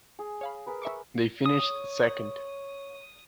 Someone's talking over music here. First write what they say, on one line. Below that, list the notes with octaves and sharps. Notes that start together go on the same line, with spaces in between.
They finished second.
G#4
C#5 F5 B5
G#4 A#4 B4
E5 C#6 D6
C#5 D#6